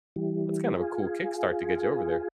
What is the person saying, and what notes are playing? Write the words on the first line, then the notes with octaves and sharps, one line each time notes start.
that's kind of a cool kick start to get you over there.
E3 G3
F4 G#4